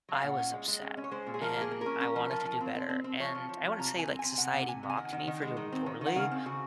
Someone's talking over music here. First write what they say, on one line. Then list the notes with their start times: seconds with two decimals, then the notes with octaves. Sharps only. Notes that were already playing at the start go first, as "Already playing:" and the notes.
I was upset, and I wanted to do better. And I wouldn't say, like, society mocked me for doing poorly,
0.09 F#3 F5
0.22 A#2 F#5
0.38 C#4
0.53 G#3
0.68 G#3
0.82 C#4
0.97 C#4
1.04 C#5
1.11 G#3 C5
1.26 A#2
1.34 G#4
1.41 F3 A#4
1.56 A#3
1.61 G#4
1.71 A#3
1.81 C#4 A#4
2.01 C#4
2.16 F3
2.31 F3
2.45 F3
2.60 C4
2.75 C4
2.89 C4
3.04 C4
3.20 F3 C#5
3.35 F3
3.49 F3
3.64 F3
3.78 C3 A#5
3.94 C3 G#5
4.08 C4
4.19 C4 G#5
4.38 C3 F#5
4.54 C3
4.68 C3 G#5
4.83 C3
4.90 G#5
4.97 D#3 F#5
5.13 D#3
5.27 D#3
5.42 G#3
5.57 D#3
5.72 C4
5.86 D#3
6.01 D#3
6.06 F#5
6.16 C#3 F5
6.31 C4
6.46 C#3 F#4